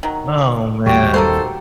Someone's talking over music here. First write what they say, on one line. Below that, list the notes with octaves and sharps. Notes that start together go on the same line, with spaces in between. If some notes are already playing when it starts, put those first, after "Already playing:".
Oh, man.
D#3 F#3
D#2 A#2 G3 F#4 G4 E5 G5
D#3 A#3 A4 C5